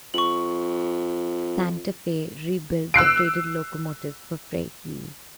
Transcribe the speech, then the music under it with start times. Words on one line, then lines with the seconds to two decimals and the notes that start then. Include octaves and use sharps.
Santa Fe rebuilt the traded locomotives for freight use.
0.14 F2 C#6 F#7
2.94 E6 F#6 C7 D7